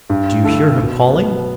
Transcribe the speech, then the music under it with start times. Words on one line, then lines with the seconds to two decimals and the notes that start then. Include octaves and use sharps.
Do you hear him calling?
0.10 G2
0.43 D3 A3 E4 A4
0.76 B2
1.08 F#3 B3